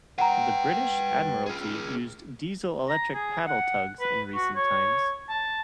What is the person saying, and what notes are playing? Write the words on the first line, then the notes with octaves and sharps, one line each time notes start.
The British Admiralty used diesel-electric paddle tugs in recent times.
B4 F#5 G5 A#5
F4 G#4
A#5
G#4
F#5
B4
F#4
C#5
A5